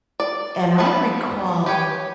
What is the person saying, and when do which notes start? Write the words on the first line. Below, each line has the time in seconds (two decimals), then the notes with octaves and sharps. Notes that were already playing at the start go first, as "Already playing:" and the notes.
and I recall
0.20 D5
0.78 F3 B3 E5 A5 B5
1.66 G4 B4 C#5 G5 G#5